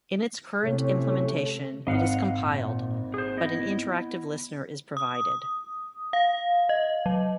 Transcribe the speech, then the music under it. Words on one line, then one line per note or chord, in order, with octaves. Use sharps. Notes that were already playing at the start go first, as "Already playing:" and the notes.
In its current implementation, it is compiled, but an interactive listener is provided.
A2 C3 A3 C#4 C#5
G#1 D#5 F5 F#5
A#2
G#4 C5
B3 E4 D#5
D#6
F5
D#5
F#3